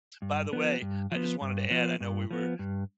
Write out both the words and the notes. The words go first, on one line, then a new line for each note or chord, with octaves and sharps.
By the way, I just wanted to add, I know we were
G2
F3 B3
G2
F3 B3
G2
F3 B3
G2
F3 B3
G2